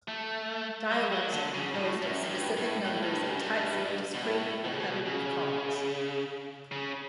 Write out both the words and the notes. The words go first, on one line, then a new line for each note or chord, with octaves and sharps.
Dialects are composed of specific numbers and types of discrete, repetitive calls.
A3
G3
F#3
D3
C#3
A2
F#2
A2
G2
A2
A2
A2
G2
F#2
G2
B2
A2
B2
C#3
B2
C#3
C#3